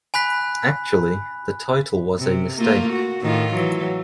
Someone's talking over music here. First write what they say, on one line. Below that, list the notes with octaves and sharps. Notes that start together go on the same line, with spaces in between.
Actually, the title was a mistake.
G#5 B5 F#6 B6
C3
A3 A#3 F4
F#4
A2 D#3 F4
E3 F#3